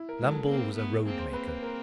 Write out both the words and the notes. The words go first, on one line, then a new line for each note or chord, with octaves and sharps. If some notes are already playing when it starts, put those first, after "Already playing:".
Lambole was a roadmaker.
Already playing: E4
A#4
F#3 G#3
A4
A#3 C4
A3 B3
A#3 C4 G#4
C5
A#3 C4 B4
B4
A#4